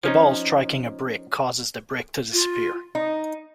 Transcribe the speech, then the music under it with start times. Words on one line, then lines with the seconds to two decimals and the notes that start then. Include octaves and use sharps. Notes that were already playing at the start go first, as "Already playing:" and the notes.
The ball striking a brick causes the brick to disappear.
0.04 F3 C#4 D#4
2.33 F4
2.95 D#4